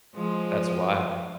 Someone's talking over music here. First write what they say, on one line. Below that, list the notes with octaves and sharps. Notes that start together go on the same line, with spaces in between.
That's wild.
F3 G#3